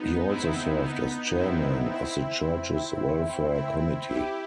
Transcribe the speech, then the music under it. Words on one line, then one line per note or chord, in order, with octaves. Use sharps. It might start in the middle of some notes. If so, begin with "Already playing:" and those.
He also served as chairman of the church's Welfare Committee.
Already playing: B3 D#4
C4 E4
B3 D#4
C4 E4
C4 E4
C4 E4
E4 G4